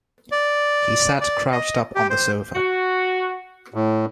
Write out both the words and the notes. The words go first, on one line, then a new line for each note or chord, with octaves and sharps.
He sat crouched up on the sofa.
D5
D5
D#5
G4
C5
F#4
A2